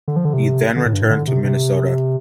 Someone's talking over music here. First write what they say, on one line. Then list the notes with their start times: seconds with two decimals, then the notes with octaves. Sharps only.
He then returned to Minnesota.
0.08 D3
0.16 F3
0.25 D3
0.33 C3
0.76 D3
0.85 A2
0.93 G2
1.02 A2
1.11 D3
1.28 C3
1.44 C3